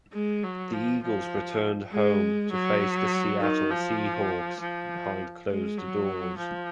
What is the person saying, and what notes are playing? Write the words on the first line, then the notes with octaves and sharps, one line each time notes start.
The Eagles returned home to face the Seattle Seahawks behind closed doors.
G#3
F#3
F3
F3
G#3
F#3
D#3
F3
F3
G#3
F#3
F3